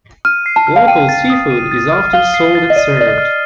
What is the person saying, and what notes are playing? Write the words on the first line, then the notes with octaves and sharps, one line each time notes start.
Local seafood is often sold and served.
F6 D#7
C7
A5
F6
F5
G5 D#7
A6
D#6
D#7
A6
F6
F5 G7
C7
A6
D#5
D5 D#7
D5 A6
D#5
F6